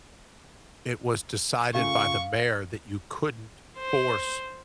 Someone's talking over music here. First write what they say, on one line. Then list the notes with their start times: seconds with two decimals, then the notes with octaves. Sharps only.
it was decided by the mayor that you couldn't force
1.75 C#3 A3 F4 F5 C#6
3.78 C5